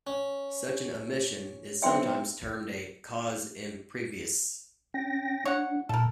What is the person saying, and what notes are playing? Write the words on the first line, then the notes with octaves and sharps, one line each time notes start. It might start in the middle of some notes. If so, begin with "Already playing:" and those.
Such an omission is sometimes termed a "casus improvisus".
C#4
B1 C4 E5 G5 C6
C#4 G5 A#6
D4 C#5 F#5
A#2 A4 A#4